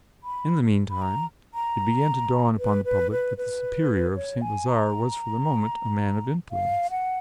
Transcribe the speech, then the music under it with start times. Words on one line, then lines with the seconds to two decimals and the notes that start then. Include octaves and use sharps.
In the meantime it began to dawn upon the public that the Superior of St. Lazare was for the moment a man of influence.
0.24 B5
0.90 B5
1.02 A#5
1.54 A#5
2.59 B4
2.85 B4
3.11 B4
3.37 B4
4.16 C#5
4.42 G#5
4.68 A#5
6.52 F5
6.91 F#5